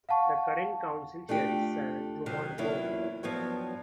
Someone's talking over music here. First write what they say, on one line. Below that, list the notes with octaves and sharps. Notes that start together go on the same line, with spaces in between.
The current Council Chair is Sir Drummond Bone.
F5 F#5 A5 C#6
A3 D4 F4 G4
C3 D#3 F#3
E2 F#3 A#3 C#4 E4 F4
G2 F3 F#3 B3 C#5